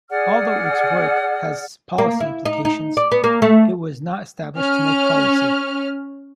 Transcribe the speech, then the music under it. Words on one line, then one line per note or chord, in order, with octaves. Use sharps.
Although its work has policy implications, it was not established to make policy.
G#4 D5 F#5 F6
A#3
E4
D#4
D#4
D5
B3
A#3
A3
C#4 F6